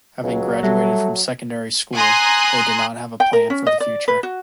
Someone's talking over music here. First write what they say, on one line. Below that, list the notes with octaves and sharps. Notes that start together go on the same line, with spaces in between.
Having graduated from secondary school, they did not have a plan for the future.
C#2 F#3
G3 A3
G#5 A#5 C6 D#6 F#6
G5
A#4
C#4
D#5
D5
B4
F#4